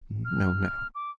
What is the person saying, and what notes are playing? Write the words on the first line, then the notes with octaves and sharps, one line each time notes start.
"No, no."
F6
D6